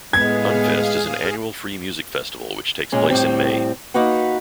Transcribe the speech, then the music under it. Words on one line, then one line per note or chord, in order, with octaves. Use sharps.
Unfest is an annual free music festival which takes place in May.
A2 G#3 B3 G#4 F5 G#6
A#2 G#3 C#4
A2 G3 C4
A#3 D#4 F#4 B4 F#5